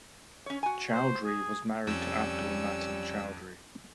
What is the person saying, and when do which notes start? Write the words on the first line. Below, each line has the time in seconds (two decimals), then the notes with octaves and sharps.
Chowdhury was married to Abdul Matin Chowdhury.
0.46 C#4 C#5
0.63 F#4 G#5
0.92 C5
1.24 G#4
1.87 F2 G3 C#4 E6